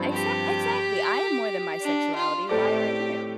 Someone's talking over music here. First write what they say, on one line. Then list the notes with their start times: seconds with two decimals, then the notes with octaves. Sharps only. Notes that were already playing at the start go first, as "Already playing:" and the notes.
Exact exactly, I am more than my sexuality, why aren't you?
Already playing: G2 F3 C4
0.12 G4
1.81 D4
2.15 F4
2.49 A2 A3 C4 G4 A4 D5